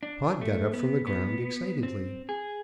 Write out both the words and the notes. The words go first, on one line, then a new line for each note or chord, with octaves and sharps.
Pod got up from the ground excitedly.
D4
A3
B3
B3
C4
G#4